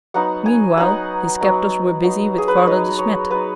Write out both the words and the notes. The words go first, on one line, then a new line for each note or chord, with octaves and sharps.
Meanwhile his captors were busy with Father De Smet.
F#3 B3 D#4 F#5
G#5
F#3 B3 D#4 F#5
F#3 B3 D#4
F#3 B3 D#4
G#4
B4
C#5
F#3 B3 D#4 D#5
C#5
F#3 B3 D#4 B4